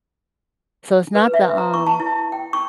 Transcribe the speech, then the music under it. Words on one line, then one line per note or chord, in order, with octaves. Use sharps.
so it's not the, um,
B4
E5
A#5
C#6
A5
E4
G5
C#6